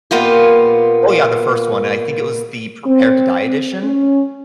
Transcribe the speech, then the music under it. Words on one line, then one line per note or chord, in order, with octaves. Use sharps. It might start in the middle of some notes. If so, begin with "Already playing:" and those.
oh, yeah the first one, and I think it was the Prepared to Die edition.
A#2 A#3 B3 F4 G4
C4
C#4